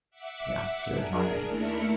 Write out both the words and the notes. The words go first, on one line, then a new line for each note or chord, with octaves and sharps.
The officer admired it.
E5 F#5 D6
D4 G#4 A#4
D#2 A3 D4 E4 A#4 C#7